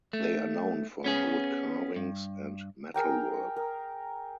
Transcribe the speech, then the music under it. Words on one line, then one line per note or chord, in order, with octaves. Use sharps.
They are known for good carvings and metalwork.
A3
B3 C#4 G#4
G2
G#4 A#4 G5 A#5
A#4